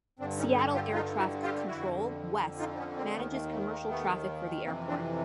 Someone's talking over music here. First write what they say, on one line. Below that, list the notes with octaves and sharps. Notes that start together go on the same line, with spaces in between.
Seattle air traffic control, west, manages commercial traffic for the airport.
G2 D3 C4 D4
C#4 D#4
G4 A4
F4 G4
D#4 F4
E4 F#4
F4 G4
F2 D3 E4 F#4
D#4 F4
C4
B3 C#4
A#3 C4
D#2 D#3 A3 B3
A3
A3
G#3 A#3
A3 B3
F2 C3 E3 A#3 C4
C4 D4